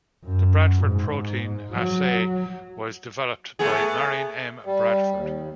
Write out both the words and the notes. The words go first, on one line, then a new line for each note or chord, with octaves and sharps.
The Bradford protein assay was developed by Marion M. Bradford.
F#2
G#2
F#3
A3 B3 G#4
G3
D#2